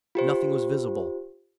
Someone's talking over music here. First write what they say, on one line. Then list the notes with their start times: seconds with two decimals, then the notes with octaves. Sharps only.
Nothing was visible.
0.15 F4 G4 C5